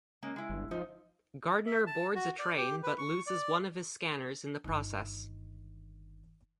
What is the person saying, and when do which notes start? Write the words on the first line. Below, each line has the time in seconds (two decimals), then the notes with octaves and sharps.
Gardner boards a train but loses one of his scanners in the process.
0.22 G#3 A#3 C#4
0.36 G#3 E4
0.49 G1
0.71 F3 D#4
1.67 E5
1.87 A5
2.16 F#4
2.39 D5
2.57 G4
2.83 B4
2.98 C#6
3.27 D5
4.64 G1 D#3